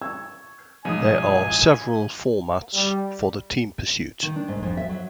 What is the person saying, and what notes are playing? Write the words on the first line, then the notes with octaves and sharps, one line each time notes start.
There are several formats for the team pursuit.
C#6 E6 G#6
B1 G#2 F3 G#5 D#6
G3
D#3
D4
G#2
F2
E5
F#3